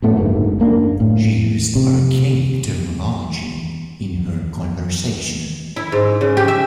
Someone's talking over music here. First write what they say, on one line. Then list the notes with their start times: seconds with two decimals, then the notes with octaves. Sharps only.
She used archaic terminology in her conversation.
0.02 F#2 A2 A3 B3
0.16 F#1 D2 G#2 A#3
0.60 F#1 A#3 D4
1.00 A2
1.75 C3
5.76 E4
5.92 G#2
6.21 C#3
6.37 G4
6.48 E5